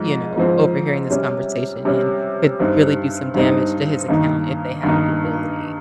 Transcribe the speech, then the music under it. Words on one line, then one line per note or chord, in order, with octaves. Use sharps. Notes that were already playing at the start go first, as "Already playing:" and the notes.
you know, overhearing this conversation and could really do some damage to his account if they had the ability
Already playing: G#2 F3
G#2 F3 C4
C3 G3 C#4
C3 G3 C#4
G2 G3 C4 D#4
G2 G3 C4 D#4
G2 D#3 A#3 D#4
G2 D#3 A#3 D#4